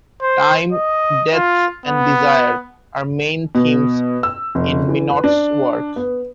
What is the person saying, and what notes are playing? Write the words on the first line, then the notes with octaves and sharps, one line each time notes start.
Time, death and desire are main themes in Minot's work.
C5
D#5
F4
B3
B2
E6
F1
E3
B4
D4
B3